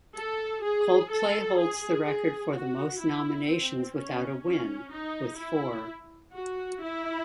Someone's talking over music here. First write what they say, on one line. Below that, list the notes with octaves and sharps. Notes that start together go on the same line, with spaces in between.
Coldplay holds the record for the most nominations without a win, with four.
A4
G#4
A4
G#4
G#4
F#4
E4
C4
C#4
C#4
D#4
E4
F#4
E4